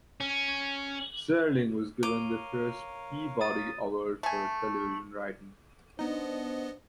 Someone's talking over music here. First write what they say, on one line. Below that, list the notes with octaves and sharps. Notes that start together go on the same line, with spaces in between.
Serling was given the first Peabody Award for television writing.
C#4
A#4 C#5 F5 D6 D#7 F7 G7
D#6 A6 D#7
A3 G#5
B3 D4 D#4 C5 D#5